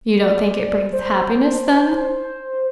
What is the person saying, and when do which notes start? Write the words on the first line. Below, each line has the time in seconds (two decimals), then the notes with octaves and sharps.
"You don't think it brings happiness, then?"
0.22 D5
0.93 C5